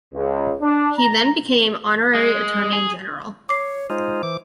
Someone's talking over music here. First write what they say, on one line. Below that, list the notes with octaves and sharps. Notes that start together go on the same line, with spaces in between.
He then became Honorary Attorney General.
C#2
D4
A#5
G#3
G#4
C#5 D6 C7
G#3 D#4 F4 C5
E3 D6